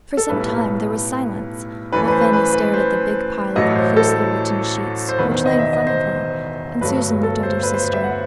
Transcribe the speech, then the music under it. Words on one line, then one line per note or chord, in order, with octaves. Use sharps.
For some time there was silence while Fanny stared at the big pile of closely written sheets which lay in front of her and Susan looked at her sister.
A4
B1 A2 G3 B4
F#2 E3 A3 B4
B4
C5
B4
B4
C5
A1 A2 F#3 A3 D#5
C5
A4
C5
E1 E2 D#3 B4
C5
D#5
E5
D#5
C5
G1 G2 F#3 A3 B4
A4
C5
B4
C5
C5
E5
F#5